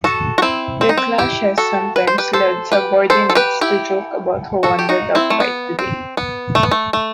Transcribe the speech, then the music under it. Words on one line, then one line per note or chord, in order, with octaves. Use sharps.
Their clashes sometimes led subordinates to joke about who won the dogfight today?
F#4 A4
F#4
C4 E4
C4
D#4
C4
E4 G4
F#4 A4
B4
C5
G4 B4
A4 C5
G4 B4
A4 C5
A4
G4 B4
E4 G4
F#4 A4
G4
D#4 F#4
C4 E4
A3
B3
C4
B3
A3
B3
A3
A3